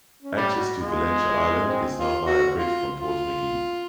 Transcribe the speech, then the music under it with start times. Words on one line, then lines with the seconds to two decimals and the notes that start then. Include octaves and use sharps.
Access to Valentia Island is now via a bridge from Portmagee.
0.23 C#4
0.37 G3
0.52 F#4
0.81 G#3 F4
1.68 C4
1.97 F4
2.27 F#4
2.56 F4
2.99 F4